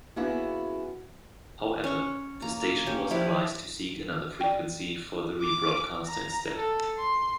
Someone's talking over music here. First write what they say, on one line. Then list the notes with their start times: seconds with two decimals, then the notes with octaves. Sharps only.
However, the station was advised to seek another frequency for the rebroadcaster instead.
0.16 A#3 B3 C#4 E4 F#4 G#4
1.84 C#4 C#6
2.42 A#3 A#5
2.86 C#4 G4
3.11 F3 E4 G4 D5
4.41 D5 G5
5.41 D6
6.06 A#5
6.56 A4
6.98 C6